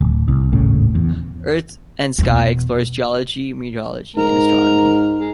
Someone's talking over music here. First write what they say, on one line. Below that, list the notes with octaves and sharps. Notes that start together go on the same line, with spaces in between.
Earth and Sky explores geology, meteorology and astronomy.
D1
C2
D#1 G#1 A2 C#3
E2
E2 B2
G#2 A#4 A#5
G#3